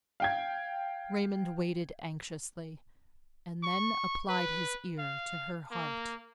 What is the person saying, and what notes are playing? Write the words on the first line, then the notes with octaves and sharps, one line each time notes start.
Raymond waited anxiously, and then applied his ear to her heart.
F5 G5 G#6
C#6
B4
F5
A#3